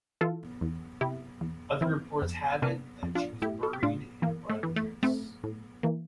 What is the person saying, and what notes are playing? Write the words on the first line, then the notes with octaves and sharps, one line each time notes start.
Other reports have it that she was buried in a bridal dress.
E3 F4 A4
E2
C3 E4 G4
E2
E3 C4 E4
F2
C3 A#3 D4
F2
D4 F4
A2 E4 G4
A4
G4
A2 D4 F4
E3 A#3
A3
E3
A3
A2 A3 C4
A2
E3 A#3